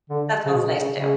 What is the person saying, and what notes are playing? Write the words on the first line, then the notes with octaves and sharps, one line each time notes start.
That sounds nice too.
D3
C#3
B2
C#3
C#3
C#3